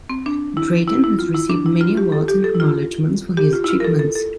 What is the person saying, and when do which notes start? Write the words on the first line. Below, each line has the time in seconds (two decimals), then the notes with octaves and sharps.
Drayton has received many awards and acknowledgments for his achievements.
0.10 C4
0.26 D4
0.57 E4
0.88 E4
1.04 E4
1.19 F4
1.35 E4
1.50 D4
1.66 E4
1.81 F4
1.97 G4
2.12 A4
2.28 G4
2.44 A4
2.55 E4
2.60 F4
3.37 G4
3.53 F4
3.64 E4
3.68 F4
3.80 A#4
3.85 A4
3.99 A4
4.15 A4